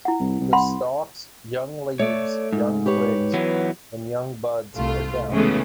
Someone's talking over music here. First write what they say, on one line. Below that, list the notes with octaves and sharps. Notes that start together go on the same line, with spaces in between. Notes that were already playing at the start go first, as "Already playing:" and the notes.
The stalks, young leaves, young twigs and young buds are downy.
E4 F#5
C2
C2
F#5 B5 C6
A3 C#5 D5
G#2
G4 B4 C#5
E3 F#3 B3
C2 A3 F4
C#3 E3 G#3 A3 B3